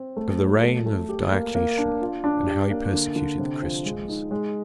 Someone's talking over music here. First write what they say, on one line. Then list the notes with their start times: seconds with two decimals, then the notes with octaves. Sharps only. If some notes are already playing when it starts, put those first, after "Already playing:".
Of the reign of Diocletian, and how he persecuted the Christians.
Already playing: C4
0.17 A3
0.40 F#3
0.63 A3
0.86 A3
1.09 G4
1.32 A#3
1.55 A#3
1.78 D4
2.01 F4
2.24 D4
2.47 G4
2.70 A#3
2.93 D3
3.16 D3
3.39 C3
3.62 F3
3.85 G#3
4.08 D#4
4.31 G#3